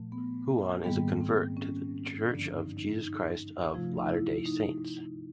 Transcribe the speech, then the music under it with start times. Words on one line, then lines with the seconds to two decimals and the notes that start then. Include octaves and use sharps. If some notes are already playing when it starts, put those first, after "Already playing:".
Huon is a convert to The Church of Jesus Christ of Latter-day Saints.
Already playing: A#2 F3 A3
0.12 B3
0.84 G#2 D#3 G3 A#3 B3
1.21 C4
1.57 C#4
2.29 G2 D3 F3 D4
2.53 D#4
2.77 D#4
3.01 D#4
3.74 C3 F3 A3 F4
3.97 D#4
4.09 E4
4.45 D#4